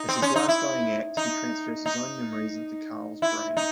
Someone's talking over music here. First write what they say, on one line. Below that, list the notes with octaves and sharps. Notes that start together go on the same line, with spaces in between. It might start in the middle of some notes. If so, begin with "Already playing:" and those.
As his last dying act he transfers his own memories into Karl's brain.
Already playing: D#4
C4
C#4
D#4
E4
D#4
D#4
E4
D#4